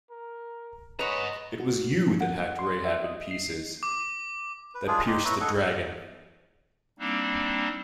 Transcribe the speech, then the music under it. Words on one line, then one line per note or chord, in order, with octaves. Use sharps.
It was you that hacked Rahab in pieces, that pierced the Dragon!
A#4
B4 C#5 D#5 G#5 A#5
F#4
F3
F#5
C6
E5
D#5
C7
D6
B4
G#3 D4 F4 G#4
D#4 G4 C6
B4 C#5 E5 A#5
G#4 A4 D#5 F#5
G3 A#3 C4 D4 D#4